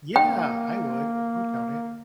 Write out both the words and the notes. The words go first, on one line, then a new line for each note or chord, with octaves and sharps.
Yeah, I would, I would count it.
A#3 G5